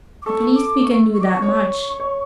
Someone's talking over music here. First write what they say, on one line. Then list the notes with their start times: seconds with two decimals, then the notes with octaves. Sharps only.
At least we can do that much.
0.22 D6
0.26 A4 C#6
0.55 D6
0.77 D6
0.84 C#6
1.13 C#6
1.20 D6
1.27 C#6
1.42 C#5 C#6
2.00 C#5